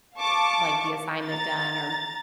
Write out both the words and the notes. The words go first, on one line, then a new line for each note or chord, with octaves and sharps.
like, the assignment done or
F5 A5 C#6 D6
A#5 A6